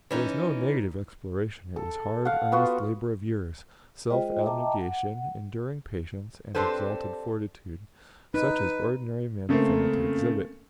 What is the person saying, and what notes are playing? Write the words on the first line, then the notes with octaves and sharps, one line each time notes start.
It was no negative exploration, it was hard, earnest labor of years, self-abnegation, enduring patience, and exalted fortitude, such as ordinary men fail to exhibit.
E3 C#4 D#4
A4
F5 F#5
B3 F4 F#4
G#3 F4 G#4 C5 D#5 G5
D#5 E5 G5 A5 A#5 D6
F#5
C4 D4 G4 A4 B4 C5
D#4 B4
C#3 A3 A#3 C4